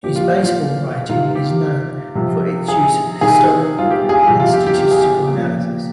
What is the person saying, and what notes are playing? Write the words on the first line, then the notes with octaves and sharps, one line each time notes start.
His baseball writing is known for its use of historical and statistical analysis.
A#2 F3 G4
F4
F4
C3 D#3 F4
G4
C3 F3
G#4
C3 D#3 G#4
F4
G4
G#4
C3 F3 G4
F4
G4
G4
G4
G#4
G4
A#2 F3